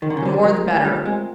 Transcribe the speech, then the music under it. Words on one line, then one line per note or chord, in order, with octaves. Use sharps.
The more the better.
D#3 A#4
D3
C#3
D3 C4
F#3 A#4
A3
G3 F4
G#3 C4